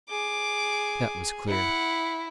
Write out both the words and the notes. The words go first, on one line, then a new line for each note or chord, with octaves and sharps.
That was clear.
G#4 D6
E4 F#5